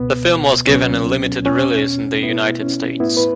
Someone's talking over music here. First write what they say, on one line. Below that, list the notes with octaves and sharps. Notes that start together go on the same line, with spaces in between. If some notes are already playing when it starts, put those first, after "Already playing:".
The film was given a limited release in the United States.
Already playing: C#2 B2 B3
C#2 B2 F#3 B3 C#4
E2 B2 B3 C#4
B2 A3 B3 E4
C#4
A2 A3 B3 E4
B4